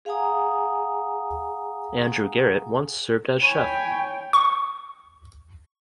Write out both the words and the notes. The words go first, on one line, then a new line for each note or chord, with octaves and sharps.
Andrew Garrett once served as chef.
G#4 F5 F#5 G#5 A#5 D#6
C#5 G5 G#5 B5
C#6